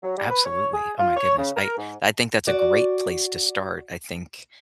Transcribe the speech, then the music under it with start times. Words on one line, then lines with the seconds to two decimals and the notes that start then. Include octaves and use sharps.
Absolutely. Oh my goodness. I I think that's a great place to start. I think
0.03 F#3
0.17 G3
0.30 B4
0.46 C#5
0.73 G#4
0.99 F4
1.17 C#5
1.38 C#3
1.57 A#4
1.77 G#2
2.47 F#4 D5